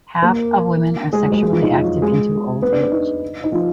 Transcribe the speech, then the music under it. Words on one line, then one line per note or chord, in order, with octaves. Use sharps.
Half of women are sexually active into old age.
A#3 A#4
G#3 G#4
F#3 F#4
G#3 G#4
G#3 G#4
F3 F4
D#4
F3 F4
F#3 F#4
G#3 G#4
B3 B4
D4 D5
B3 B4
D#4
D#4
F3 F4